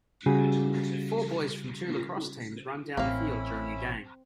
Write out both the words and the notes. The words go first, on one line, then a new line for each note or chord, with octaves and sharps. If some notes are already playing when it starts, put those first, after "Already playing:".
Four boys from two lacrosse teams run down the field during a game.
C#3 G3 F#4 G#4
A1 A#3 C4 C#4 E4 F5 B5